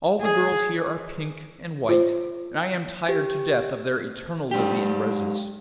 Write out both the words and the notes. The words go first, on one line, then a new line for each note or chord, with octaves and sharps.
All the girls here are pink and white, and I am tired to death of their eternal lilie and roses.
G#4
F4 C5
G4
G#2 G4